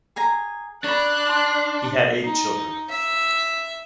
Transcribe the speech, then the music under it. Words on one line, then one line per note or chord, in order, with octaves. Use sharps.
He had eight children.
G#4 G#5 A#5
D4 C#5 B5 F#6
A5 C6
D#4
E5